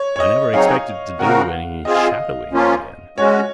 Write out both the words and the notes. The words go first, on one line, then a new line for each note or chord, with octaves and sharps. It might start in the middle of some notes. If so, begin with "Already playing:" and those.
I never expected to do any shadowing again.
Already playing: C#5
C#5
D#5
F#3 C4 D#4 G#4 C#5 F5
C#3 F3 C4 F#4 A#4 F#5
F5
F#5
C4 F4 G#4 D#5
F5
D#5
F3 A#3 C#4 F4
G#3 C#4 F#4 C#5